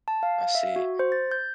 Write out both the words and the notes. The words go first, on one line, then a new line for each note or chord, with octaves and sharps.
I see.
A5
F5
F5
E5
F#4
C5
A6
G6